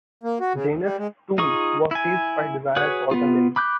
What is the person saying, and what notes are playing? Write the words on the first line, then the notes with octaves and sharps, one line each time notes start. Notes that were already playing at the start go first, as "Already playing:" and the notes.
Janus too was seized by desire for the nymph.
A#3
F#4
C#3
D#2
G3
G#3
D#4 F4 G#4 C#6
E4 G#5
F#4 G#4 B4 C#5
B3 F4
B5 D6 F#6 G6